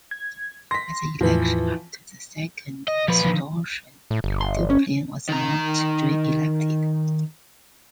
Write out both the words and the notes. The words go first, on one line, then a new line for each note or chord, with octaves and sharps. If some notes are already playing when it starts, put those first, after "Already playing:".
At the election after the second restoration Dupin was not reelected.
G#6
C6 A#6 B6
E2 A2 E3 F3 B4
D#5
A#2 F3 B4
D3 D#3 F3
A2
G1
C6
C#4
D#3 A#5